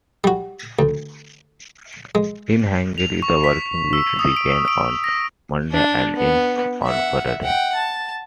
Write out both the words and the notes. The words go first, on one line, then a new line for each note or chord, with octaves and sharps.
In Hungary the working week begins on Monday and ends on Friday.
G3 F#4
D2
G#3
F7
C#6
B6
E6
D#6
D7
D7
A#6
D4
B3
E5 F#5
F#5 G5
A5